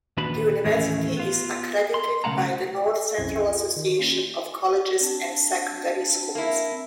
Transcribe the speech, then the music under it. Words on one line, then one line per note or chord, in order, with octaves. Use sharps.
The university is accredited by the North Central Association of Colleges and Secondary Schools.
D#2 A#2 D4 F#4 B4 B5
D#2 A2 E3 A3 C#4
B3 F4
C6
B1 C#3 A3 F5 F#5 A#5
B1 F2 C4 C#4 E4 G#6
G#4 G5
F4
D#3
A#3 C#4 F4
C4 D4 A5
A#3 E4